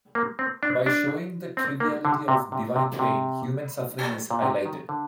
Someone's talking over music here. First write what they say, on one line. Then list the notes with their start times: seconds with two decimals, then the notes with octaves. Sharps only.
By showing the triviality of divine pain, human suffering is highlighted.
0.15 A#3
0.39 C4
0.63 D4
0.86 D4
1.57 C4
1.80 A#3
2.05 D3
2.28 C3
2.52 C3
2.76 C3
2.99 C3
4.30 A#2
4.42 C3
4.66 D#3
4.89 D3